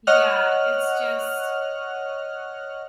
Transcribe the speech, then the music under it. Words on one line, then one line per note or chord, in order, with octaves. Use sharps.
Yeah, it's just
C#5 D#5 F#5 F6 F#6